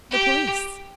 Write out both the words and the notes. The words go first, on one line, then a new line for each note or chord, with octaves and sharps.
"The police."
G4